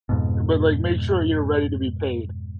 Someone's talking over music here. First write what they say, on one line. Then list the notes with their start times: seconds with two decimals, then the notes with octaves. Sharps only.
but like make sure you're ready to be paid.
0.09 F2 G#2 B2